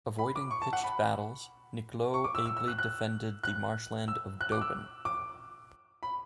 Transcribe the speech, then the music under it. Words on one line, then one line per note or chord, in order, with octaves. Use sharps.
Avoiding pitched battles, Niklot ably defended the marshland of Dobin.
B5
D6
C#6
A5
F#5
B5
C#6
D6
E6
E6
E6
F#6
F#6
F#6
E6
F#6
D6
E6
D6
B5